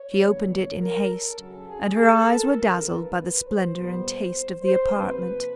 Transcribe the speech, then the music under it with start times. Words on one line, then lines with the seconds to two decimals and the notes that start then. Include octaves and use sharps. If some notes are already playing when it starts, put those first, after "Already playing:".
She opened it in haste, and her eyes were dazzled by the splendour and taste of the apartment.
Already playing: C#5
0.21 G2 D3 G3 B3
0.50 C#5
0.80 A#4
1.10 A4
1.38 F#2 C#3 F#3
1.67 G#4
1.98 A4
2.26 A#4
2.56 F2 D3 F3
2.86 B4
3.44 C5
3.74 A#2 G3 B3
4.62 C5
4.91 F2 C3 F3 A#3 B4